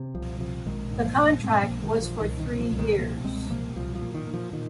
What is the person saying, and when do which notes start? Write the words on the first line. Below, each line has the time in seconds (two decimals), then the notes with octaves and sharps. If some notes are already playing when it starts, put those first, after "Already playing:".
The contract was for three years.
Already playing: C3
0.15 C2 F3
0.40 C3 F3
0.66 A#1 D#3 G#3
0.91 G#2
1.05 F3 A#3
1.17 A#1
1.43 G#2 G#3 C4
1.63 F3 A#3
1.69 A#1
1.82 D#3 G#3
1.95 A#1
2.02 F3
2.21 C2 D#3
2.40 D#3
2.47 C3
2.60 F3
2.73 C2
2.78 D#3 G#3
2.98 C3 F3 A#3
3.24 C2 G#3 C4
3.50 C3 F3 A#3
3.76 C2 F3
3.95 F3
4.02 A#2
4.14 D#3
4.27 A#2
4.34 F3
4.53 A#2 D#3